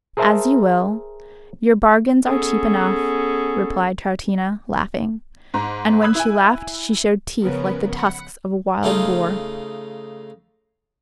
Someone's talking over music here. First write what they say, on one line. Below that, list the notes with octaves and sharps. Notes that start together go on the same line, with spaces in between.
"As you will; your bargains are cheap enough," replied Troutina, laughing: and when she laughed she showed teeth like the tusks of a wild boar.
G#4 A#4 C5 E5 A5 A#5
B3 C#4 G#4 A4
G#2 A#5
B5 D#6 E6 F#6 G#6
E4 G#5
C#3 F3 B3 C#4 A#4 B4
F#5 B5
C#3 A3 D#4 F4